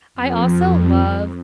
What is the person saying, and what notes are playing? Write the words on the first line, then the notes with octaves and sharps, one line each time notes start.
I also love,
F2